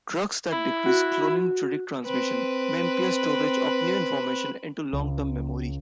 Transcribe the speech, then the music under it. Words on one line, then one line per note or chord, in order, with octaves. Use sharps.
Drugs that decrease cholinergic transmission may impair storage of new information into long-term memory.
E4
F#4
C4 B4
C#2